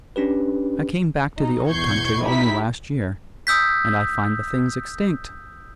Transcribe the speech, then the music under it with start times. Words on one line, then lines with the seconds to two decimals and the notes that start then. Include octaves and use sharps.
I came back to the old country only last year, and I find the thing's extinct.
0.16 C#4 D4 G4 B4
1.38 D#4
1.70 B1 E2 C#6 G6 G#6 C7
2.23 D#4 E4 G4 B6
3.47 D#6 E6 G6 B6